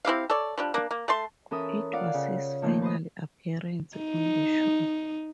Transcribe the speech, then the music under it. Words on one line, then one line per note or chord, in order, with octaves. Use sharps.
It was his final appearance on the show.
C4 E4 G4 F5
A4 C#5 D5
F3 G3 D4
A#3 D4
A#3
A3 A5 C6
E3 C#4 A4 A#4 E5 D#6
F4 D5 F5 F#5
C#3
A#2 D#3 F3 A3 A#3
B4 C5 D#5
D#4